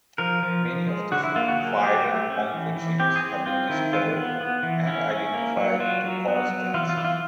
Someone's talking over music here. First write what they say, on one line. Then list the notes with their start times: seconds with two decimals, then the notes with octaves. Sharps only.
Many of these viral oncogenes have been discovered and identified to cause cancer.
0.18 F3 A#4
0.43 F3
0.66 F3
0.88 G#3
1.12 D3 F#4
1.24 E4
1.36 A#3 F4
1.48 F#4
1.59 F#3 G#4
1.83 F#3 G4
2.06 A3
2.30 C#4
2.53 E3
2.76 E3
3.00 C4 G4
3.16 G#4
3.23 C4
3.46 C4 F4
3.70 D#3 E4
3.93 E3 F4
4.16 B3
4.41 B3
4.63 E3
4.86 C#4 E4
5.10 C#4
5.34 A#3
5.57 F#3
5.80 F#3 F4
6.04 F#3
6.28 B3
6.51 F#3
6.74 E3 F4
6.89 F4
6.97 E3
7.05 F4